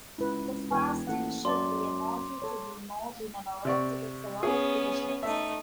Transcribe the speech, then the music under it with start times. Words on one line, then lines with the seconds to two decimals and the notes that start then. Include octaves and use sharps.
The fasting should be a motive to be more benevolent to the fellow-creatures.
0.18 C#2 E4 B4
0.71 E1 B4 G5 G#5
1.07 A1 A#3 A4 F#5
1.45 F#2 D5 F5 A5 C6 D6
2.42 A4 C#5
3.65 C3 D5 C#6
4.43 B3 C#4 G#4
5.23 A3 D#4 E5